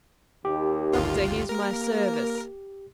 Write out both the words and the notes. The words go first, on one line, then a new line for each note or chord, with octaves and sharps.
Doctor, here's my service.
D#2 G4
G1 D2 F4
A#3 A#4